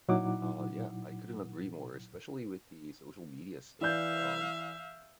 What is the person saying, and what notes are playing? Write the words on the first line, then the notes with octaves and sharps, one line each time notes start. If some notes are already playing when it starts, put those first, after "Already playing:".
Uh, yeah, I couldn't agree more, especially with the social media stuff, um,
A#2 F#3 D#4 E4 F#5 D6
E3 D5 E5 F5 G6